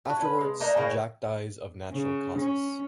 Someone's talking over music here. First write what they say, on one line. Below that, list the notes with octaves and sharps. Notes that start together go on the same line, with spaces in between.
Afterwards, Jack dies of natural causes.
A3 F#4
C#4 B4
G#3
A3 A#3 D4 D#4
A2 C#3 A#3 E4
C#3
C#4